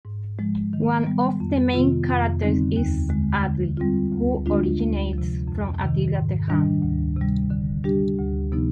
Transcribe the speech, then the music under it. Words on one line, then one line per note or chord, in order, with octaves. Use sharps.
One of the main characters is Atli who originates from Attila the Hun.
G#2
F3 G#3
D#3
G3 B3
F2
C3 D#3 B3 F4
F2
D3 G3 C4 D#4
D#2
D3 G#3
D3
G3 C4 F4
D2
D3 G#3 D4 F4
D2
C3 F3
F2
C3 D#3
G#2
D#3 G3 D4
D2
C3 G3
D3
G3 D4 G4
D2
C3 F3 B3 D#4